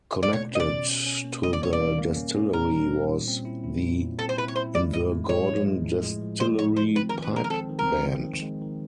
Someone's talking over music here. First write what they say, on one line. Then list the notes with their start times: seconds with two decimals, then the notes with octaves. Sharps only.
Connected to the distillery was the Invergordon Distillery Pipe Band.
0.23 D5
0.33 B2 C#5
0.51 C#4 D#5
0.60 D5
0.69 B2
0.87 C#4
1.06 C#4
1.24 A#3
1.43 G3 D#5
1.53 D5
1.62 A#3 C#5
1.73 D5
1.80 A#3
1.98 A#3
2.16 C#4
2.35 C#4
2.53 A#2 A#4
2.72 G3
2.91 A#2
3.09 A#2
3.28 C4
3.45 E4
3.64 E4
3.83 A#2
4.01 A#2
4.19 C4 A4
4.29 C5
4.37 E4 B4
4.48 C#5
4.56 E4 C5
4.74 G#3 D5
4.93 A2 D#5
5.11 G#3
5.29 G#3 C#5
5.48 F3
5.66 G#3
5.84 A2
6.03 G#3
6.21 F3
6.40 G#3 C5
6.59 F3 C#5
6.76 F3 C5
6.95 C4 B4
7.09 A#4
7.13 D#3
7.22 B4
7.32 G#3 A#4
7.44 A#4
7.50 C4 A4
7.69 D#3
7.79 A#4
7.87 C4
8.06 D#3
8.24 D#3
8.42 G#3
8.62 D#3